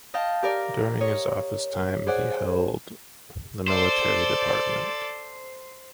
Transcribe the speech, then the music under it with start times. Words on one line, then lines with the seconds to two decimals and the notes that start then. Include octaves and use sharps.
During his office time he held the Military Department.
0.14 D#5 F5 G5 A5
0.43 G4 A#4 D5
1.01 C#5 D#5
2.07 G#4 C5 D5 F#5
3.68 A4 C5 D5